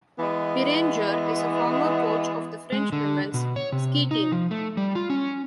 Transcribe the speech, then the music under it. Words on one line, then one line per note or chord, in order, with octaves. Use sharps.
Beranger is a former coach of the French women's ski team.
E3 G#3 B3
G#3
D3
B2
C#5
C3
D#4
F3
A3
G3
F4
C#4